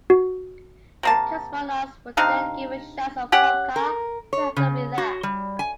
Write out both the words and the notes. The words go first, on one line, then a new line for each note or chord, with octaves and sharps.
The cosmonauts were then given shots of vodka to help them relax.
F#4
C3 A#3 A5
C3 D4 D#4 F5
C#4 G4 F#5
A#4
C#5
C#3
F#4
G3
G#5